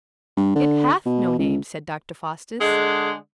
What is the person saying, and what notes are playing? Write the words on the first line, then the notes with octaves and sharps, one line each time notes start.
"It hath no name," said Dr. Faustus.
G2
D3
B2
C#2
D3 G#3